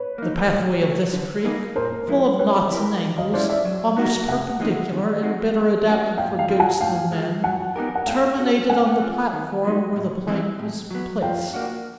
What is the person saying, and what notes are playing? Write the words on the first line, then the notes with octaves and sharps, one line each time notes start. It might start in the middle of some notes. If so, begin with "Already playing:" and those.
The pathway of this creek, full of knots and angles, almost perpendicular, and better adapted for goats than men, terminated on the platform where the plank was placed.
Already playing: B4 C#5
A#3 D#4
A2
F#3 A3
D3
G3 A#3 D#4 G#4
A#2 A#4 C5
F3 G#3 B3 E4
G3 B4 C#5
B3 E4 G4 A#4
D#3
D#5 F5
G#3 C#4 E4 C5 D5
D5 E5
F#3
B3 D#4 F#4 A#4
C3 E5 F#5
E3 G#3 C4 D#4
D#3
G#3 C4 D#4 F#4
G3
A#3 C#4 F#4
A#2 F5 G5
F5 G5
F3 G#3 C4 F4
F#5 G#5
A2 F5 G5
F3 G#3
F#3 F#5 G#5
B3 D#4 G4 A#4
F#5
A3 F5 G5
C#4 F#4 A4
A3 F#5 G#5
C4 F4
D#3
F#3 B3 D#4
A2
E3 G3 C4 E4
A2
F#3 B3
F3 F5 G5
A#3 D4 F#4